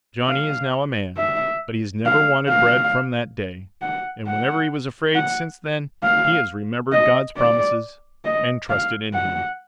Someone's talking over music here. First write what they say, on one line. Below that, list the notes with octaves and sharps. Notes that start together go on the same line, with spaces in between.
Johnny is now a man, but he has never wanted bread from that day; and whenever he was afraid since then, he has remembered God's promises, and trusted in him.
F5
E5
F5
F5
F#5
F#5
F#5
F5
D#5
D5
D#5
F5
F#5